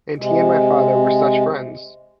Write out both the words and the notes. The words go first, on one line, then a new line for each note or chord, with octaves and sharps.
And he and my father were such friends!
C3 G#3